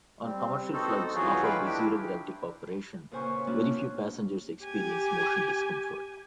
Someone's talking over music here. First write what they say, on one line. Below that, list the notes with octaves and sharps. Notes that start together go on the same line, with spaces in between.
On commercial flights offered by Zero Gravity Corporation, very few passengers experience motion discomfort.
G3 C4
B3 C4 D#4 F#4 A4 C5
E3 F#3 D#4 F4 F#4 G#4
E3 A3 B4 F5 G5 B5
D4 E4 G4 G5
A#2 C#3 B4 C5 G#5 C#6
C#5
A#2 A#3 C#4 D4 E4 F#4
G4 G#5